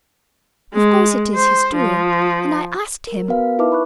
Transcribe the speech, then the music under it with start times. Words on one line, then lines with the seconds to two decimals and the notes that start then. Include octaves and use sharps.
"Of course it is his doing--and I asked him!"
0.74 G#3
1.35 C5
1.76 F3
3.07 A#4
3.28 B3 F#4 A#4 B4 F5
3.59 D#4 E4 B4 E5 A5 D6
3.72 B5 C#6 F#6